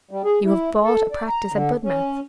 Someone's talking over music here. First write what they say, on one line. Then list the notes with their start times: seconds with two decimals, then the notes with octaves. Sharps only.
You have bought a practice at Budmouth.
0.11 G3
0.24 G#4
0.45 E4
0.84 A4
1.12 D5
1.28 A#5
1.52 D3
1.83 C#4